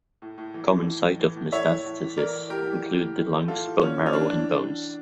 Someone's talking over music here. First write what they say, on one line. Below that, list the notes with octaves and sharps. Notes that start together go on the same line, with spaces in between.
Common site of metastasis include the lungs, bone marrow, and bones.
A2
A2
E3
E3
E3
A2
E3
A2
A2 C#5 E5
A2
A2
E3
E3 A#4 D5
A2
A2 G4 A#4
E3
E3
A2
A2
A2
E3 F4 A4
A2
E3 C#4
A2
C#4
E3 D4
E3 D4